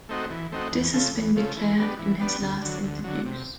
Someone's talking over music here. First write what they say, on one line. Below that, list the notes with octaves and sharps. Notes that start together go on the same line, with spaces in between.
This has been declared in his last interviews.
A3 C4 D#4 F#4
E3
A3 C4 D#4 F#4
E2
C#3 F3 A3
E2
C#3 F3 A3
E3
G3 B3 D4
E3
G3 B3 D4
D2
D3 F#3
D2
D3 F#3
C3